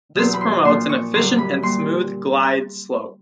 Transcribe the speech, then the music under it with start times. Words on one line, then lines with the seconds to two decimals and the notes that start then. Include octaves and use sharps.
This promotes an efficient and smooth glide slope.
0.16 E2 B2 F#3 C6
0.34 B5
0.41 C6
0.65 A#2 F3 C6
0.89 C#6
1.14 F#2 D3 G3 C6
1.38 B5
1.62 A#2 G3 C6